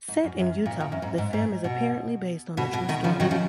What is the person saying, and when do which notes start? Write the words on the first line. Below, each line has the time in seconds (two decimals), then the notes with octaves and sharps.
Set in Utah, the film is apparently based on a true story.
0.08 G#2
0.24 F#2
0.39 F#2
0.66 A#2
0.71 G#2
0.80 A#2
0.92 F#2
1.02 G#2
1.18 G#2
1.33 G#2
1.64 B2
2.57 B2
2.73 B2
2.89 B2 D#3
3.04 C#3 F3
3.20 D#3 F#3
3.31 C#3 F3